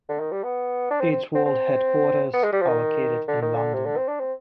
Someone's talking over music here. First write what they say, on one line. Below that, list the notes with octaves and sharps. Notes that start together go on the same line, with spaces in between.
Its world headquarters are located in London.
D3
D#3
G3
B3
D4
C4
C4
C4
C4
B3
G#3
G3
F3
D#3
D3
D#3
D3
C3
D3
C4
D4
C4